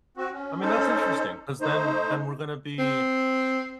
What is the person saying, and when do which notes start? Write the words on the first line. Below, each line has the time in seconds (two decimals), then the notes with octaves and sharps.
I mean, that's interesting 'cause then then we're gonna be
0.17 C4 F#4
0.33 C#4
0.61 C#4 D#4 A4 C5
1.61 A3 D#4 C5
2.79 C4